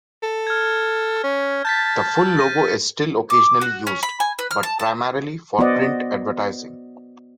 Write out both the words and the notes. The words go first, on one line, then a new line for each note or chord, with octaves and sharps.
The full logo is still occasionally used, but primarily for print advertising.
A4
F6 G#6
C#4
A5 G6 A6 B6
G6 A#6 D#7
D6
F#4
C#4
B5
G#5
B4
F6
A5
A5
B3 F#4 C5 D5 D#5 F#5